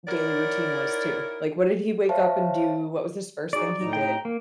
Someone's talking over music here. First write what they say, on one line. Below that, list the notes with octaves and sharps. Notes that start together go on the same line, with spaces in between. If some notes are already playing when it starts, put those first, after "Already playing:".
daily routine was too, like, what did he wake up and do, what was his first thing he did?
D#4 E4 F#4 A#4 C#5 D5
C5 C#5 E5 F5 A5
D#4 F#4 G#4 D5
A2 D#4 A#5
G5
A#3